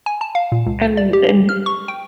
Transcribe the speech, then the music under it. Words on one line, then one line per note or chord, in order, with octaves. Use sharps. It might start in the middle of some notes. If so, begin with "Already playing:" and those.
And and
G#5
A5
F5
A#2
C#2
D5
G4
F6
C#6
G5